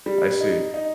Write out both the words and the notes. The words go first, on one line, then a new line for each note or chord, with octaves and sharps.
I see.
G3
D#4
D#4